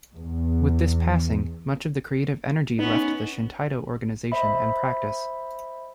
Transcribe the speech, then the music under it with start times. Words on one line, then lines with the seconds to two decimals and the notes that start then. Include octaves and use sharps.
With this passing much of the creative energy left the Shintaido organisation and practice.
0.14 E2
2.79 B3 C#4 D#4
4.32 C5 D#5 E5 B5